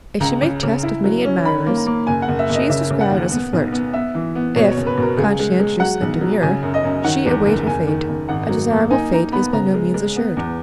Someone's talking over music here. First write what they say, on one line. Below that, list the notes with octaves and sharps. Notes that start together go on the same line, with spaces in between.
If she make test of many admirers, she is described as a flirt; if, conscientious and demure, she await her fate, a desirable fate is by no means assured.
C#2 A#5
C#3
C#3
E4
F#3
C#4
D#3 B5
A#3
A#5
A#3
F#1 G#5
F#5
F#1
E5
F#1 D#5
C#3 E5
C#3
F#5
D#2
B3
B1
B3
B3 E5
E3
B3
B2 C#5
C#5
F#1
B4
B2 A#4
C#2 G#4
G#3
G#3
F#3 F#5
B1
F#3
C#3 G#5
F#2
D#5
F#2
D#3 F#5
E2
F#1
F#1 G#5
D#3
F#1
G#1 F#5
F#3
A#3
D#4 G#5
D#4 A#5
B3 B5
C#3 A#5
G#3
G#3
B3
E2